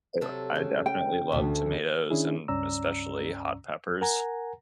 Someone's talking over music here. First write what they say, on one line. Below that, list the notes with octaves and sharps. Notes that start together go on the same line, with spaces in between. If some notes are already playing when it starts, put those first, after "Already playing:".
Uh, I definitely love tomatoes and especially hot peppers.
C3 F#3 A4
C#3
G5
D2 A3
D#3 C#4 D4 E4 G#4
C#2 G2 C#4 D5 A#5 E6
A#4 F#5 G#5 A#5